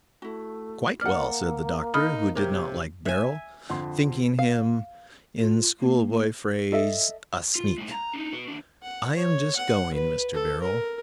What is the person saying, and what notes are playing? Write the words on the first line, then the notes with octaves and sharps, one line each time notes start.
"Quite well," said the doctor, who did not like Beryl, thinking him, in schoolboy phrase, "a sneak." "I am just going, Mr. Beryl."
A3 E4 F#4
A#3 D5 F#5 F6
D#4 B5 D#6 F6
C3 G4 A#4 C#5
E5 G#5
F2 D3 C6
F5
F4
A#3
A4 D#5 E5
F4
A2 G#3
A#5
D4 D#4
B3 F#4
D#2 D4
F#5
C#5
F#5
B4
A4
A#4